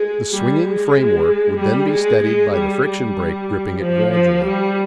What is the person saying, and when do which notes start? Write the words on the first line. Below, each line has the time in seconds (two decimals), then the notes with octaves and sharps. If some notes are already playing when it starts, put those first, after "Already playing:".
The swinging framework would then be steadied by the friction brake gripping it gradually.
Already playing: G#3
0.32 G3
0.63 G#3
1.59 G3
1.90 G#3
2.23 G#3
2.53 G3
2.85 G3
3.80 F3
4.12 F3
4.44 G3